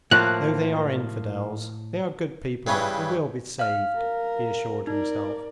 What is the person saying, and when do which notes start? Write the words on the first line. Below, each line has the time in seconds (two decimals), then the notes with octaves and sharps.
"Though they are infidels they are good people, and will be saved," he assured himself.
0.11 A2 F3 A#3 F#6
2.67 G2 C#3 E3 C#4
3.59 F5 F6
3.96 A#4
4.87 D#4 A#4 D5